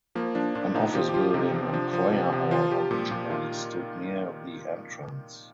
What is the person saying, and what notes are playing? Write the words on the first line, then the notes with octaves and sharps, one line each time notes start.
An office building and prayer hall originally stood near the entrance.
F3 A#3
F3 D4
A#2 D4
A#2 D#4
F3 G4
G4
F3 F4
C3 D#4
C3 C4
F3 D4
F3
C3
C3
F3 F4
F3 G4
A#2
A#2
D#3 F4